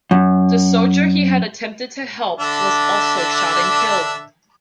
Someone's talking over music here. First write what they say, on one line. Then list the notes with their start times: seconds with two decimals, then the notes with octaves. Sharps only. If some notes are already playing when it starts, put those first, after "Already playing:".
The soldier he had attempted to help was also shot and killed.
0.11 F#2
2.40 D3 D4 E5